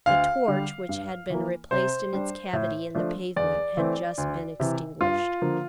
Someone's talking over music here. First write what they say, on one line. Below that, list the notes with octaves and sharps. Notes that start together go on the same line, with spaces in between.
The torch, which had been replaced in its cavity in the pavement, had just been extinguished.
D2 F5
D3 G3
G2
E3 A#3
C3 C5
G3 D4
A2
F3 A3 D4
E2 D5
E3 A3 C4
D2
C3 E3
G2 F4
D3 F3 A#3